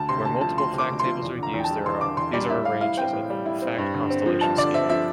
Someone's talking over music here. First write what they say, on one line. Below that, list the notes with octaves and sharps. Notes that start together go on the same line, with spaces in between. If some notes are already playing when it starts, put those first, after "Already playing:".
Where multiple fact tables are used, these are arranged as a fact constellation schema.
Already playing: D2 A5
C3 C6
D2 A5
F3 A5
D2 C6
C3
D6
D2
C6
F3
E2
D3 A#5
E2
G5
A5
G3
E2 C6
D3 D6
E2 C6
G3 D5
A2 E5
G3 F5
E4 F5
C4 G5
A2
G3
E4
C4
G2
D3
C4
F3
G2 A5
D3 D5
C4 E5
F3 E5